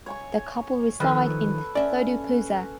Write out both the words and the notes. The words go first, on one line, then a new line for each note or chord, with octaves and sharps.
The couple reside in Thodupuzha.
C#5 G#5 C#6
D#3 F3 A4 B4
C#4 D5 E5